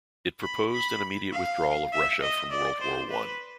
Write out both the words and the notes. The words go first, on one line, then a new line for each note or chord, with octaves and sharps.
It proposed an immediate withdrawal of Russia from World War One.
B5
B5
F5
E5
D#5
D5
C5
B4